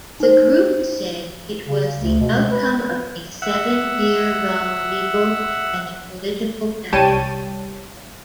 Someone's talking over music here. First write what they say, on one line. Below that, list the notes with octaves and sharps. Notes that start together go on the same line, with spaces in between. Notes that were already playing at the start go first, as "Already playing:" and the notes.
The group said it was the outcome of a "seven-year-long legal and political battle".
D#4 C5
C#3
D2
B2
G#3
B4
E5 F#5
C2 G3 C#5 G5 A5 D#7